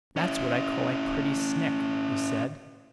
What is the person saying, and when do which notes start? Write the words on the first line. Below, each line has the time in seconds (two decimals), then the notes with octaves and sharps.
"That's what I call a pretty snick," he said.
0.16 C#4 E4